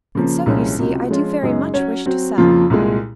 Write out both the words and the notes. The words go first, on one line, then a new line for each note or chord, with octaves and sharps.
"And so you see, I do very much wish to sell."
C#3 F3 A#3
C2 A#2 F3 G#3 C#4
C#2 C3 F#3
F3 G#3 C#4 F4
F#2 C#3 G#3 D#4 G#4
F#3 C#4 F#4 C#5
F#3 C4 F#4
F2 C#3 F3 A#3 F4
C2 A#2 G#3